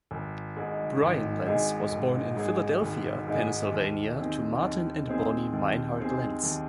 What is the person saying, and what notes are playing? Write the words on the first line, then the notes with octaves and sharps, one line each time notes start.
Bryan Lentz was born in Philadelphia, Pennsylvania, to Martin and Bonnie Minehart Lentz.
G#1
G#2 G#3 D#4 G#4
G#1
G#2 G#3 D#4 G#4
G#1
G#2 G#3 D#4 G#4
G#1
G#2 G#3 D#4 G#4
D#2
D#3 C4 G#4
D#2
D#3 C4 G#4
D#2
D#3 C4 G#4
D#2